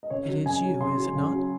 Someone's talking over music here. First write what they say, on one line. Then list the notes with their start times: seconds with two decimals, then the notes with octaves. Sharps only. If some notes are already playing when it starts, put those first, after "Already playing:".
"It is you--is it not?"
0.03 D#5
0.10 C#3 C#5
0.28 F#3
0.46 C#3 G#5
0.64 F#3
0.80 C#3 C6
0.98 F#3
1.15 C#3
1.33 F#3